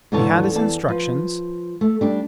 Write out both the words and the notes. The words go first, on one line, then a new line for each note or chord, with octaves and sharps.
He had his instructions.
D#2 G#2 D3 E3 C#5 A5
E2 D5 A5
F3 B4
A3
G3 D4